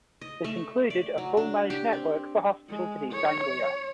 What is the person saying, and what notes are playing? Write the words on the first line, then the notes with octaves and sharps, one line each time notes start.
This included a full managed network for hospitals in East Anglia.
D#5
A3
D5
F#3
D4
G4
C4
G#3
C#5